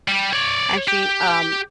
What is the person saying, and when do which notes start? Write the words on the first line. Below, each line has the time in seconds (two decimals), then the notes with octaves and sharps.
and she, um,
0.08 G3 G4
0.33 C#5 D5
0.88 G4